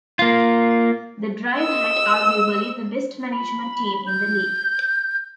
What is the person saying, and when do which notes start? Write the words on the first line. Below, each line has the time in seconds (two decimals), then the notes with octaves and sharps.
The Drive had, arguably, the best management team in the league.
0.19 A#3 F4
1.58 D#5 E6
3.32 B5
4.07 G6